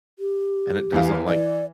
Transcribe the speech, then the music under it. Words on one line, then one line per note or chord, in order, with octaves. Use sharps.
And it doesn't, like,
G4
E2 E3 F5
E3 D5